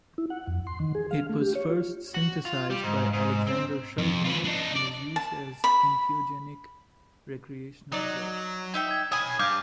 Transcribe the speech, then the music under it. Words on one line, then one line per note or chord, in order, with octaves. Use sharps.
It was first synthesized by Alexander Shulgin and is used as entheogenic recreational drug.
E4
F#5
F2
C6
D#3
G#4
F5
A3
G4
C#5
F4
F#4
F4
G3
G#2
G#2
C4
F2
F4 B4
D4 D#4
D5
A5
B5
F#3 D#4 D5
D#4 E5 G5
G#6
C#5 G#5 B5 D#6
G2 F5 D6 G6